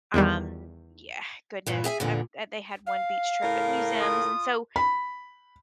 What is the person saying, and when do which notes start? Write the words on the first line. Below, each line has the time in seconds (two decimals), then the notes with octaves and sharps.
um, yeah Goodness, um, um, they had one beach trip at museums and so
0.14 E2 D#3 G3
1.67 G2 A#2 E3
1.84 G#4 E5 G5 G#5
2.00 E2 A#2 D3
2.86 F5
3.43 A2 C#3 A#4
4.00 F4 D#6
4.76 B5